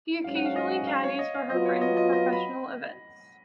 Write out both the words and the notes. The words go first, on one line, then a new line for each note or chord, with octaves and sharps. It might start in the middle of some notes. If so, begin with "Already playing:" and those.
He occasionally caddies for her in professional events.
G#2 F#3 C#4 F5
F#5
F5
D#5
F#5
F5
C#5
D#5
F5
F#3 B3 F4 D#5
C#5
D#5
D#5
D#5
B5